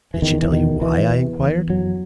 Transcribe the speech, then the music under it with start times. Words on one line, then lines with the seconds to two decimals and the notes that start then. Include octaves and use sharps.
'Did she tell you why?' I inquired.
0.14 E3
0.22 E2 D#3
0.42 E3
0.51 B2 D#3
0.81 B2 E3
1.10 E2
1.39 E2
1.69 F#2 F#3